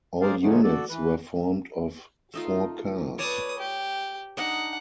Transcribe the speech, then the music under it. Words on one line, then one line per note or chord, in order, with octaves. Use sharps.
All units were formed of four cars.
G#4 A#4 C5 D5 F5
D3 F3 F#3 G#3 A3 B3
F#4 A4 D5
E3 B4
A3 D#4 F4
B4 C#5 D5 A5 D#6
G4
D4 D#4 F#5